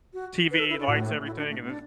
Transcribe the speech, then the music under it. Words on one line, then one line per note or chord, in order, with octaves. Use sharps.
TV, lights, everything, and then ju
F#4
B4
A4
E4
D4
A2 F#4
E4
D4
A3
B3
D4